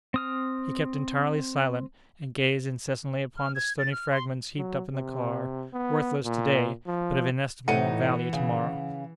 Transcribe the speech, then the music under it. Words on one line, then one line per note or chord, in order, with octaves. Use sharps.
He kept entirely silent, and gazed incessantly upon the stony fragments heaped up in the car--worthless to-day, but of inestimable value to-morrow.
C4 D#6 F6
F6
G#6
A6
F6
C6
F#3
C3
B3
A#2
F3
A2 E3 D#4 F#5 C#7 D#7
C#3